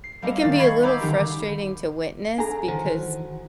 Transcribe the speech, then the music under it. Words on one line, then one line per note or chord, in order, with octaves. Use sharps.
it can be a little frustrating to witness because,
C7
G3 A3 A#3 C#4 D#5
D#3 A3 A6 A#6 C7
B5 C#6 G#6 B6 C7
G#5 A#5 B5 D6 E6 G6
D3 D#3 G3 C#4 D#4 G4
D4 A4 G#5 A#5
D#3 E3 F#4 C5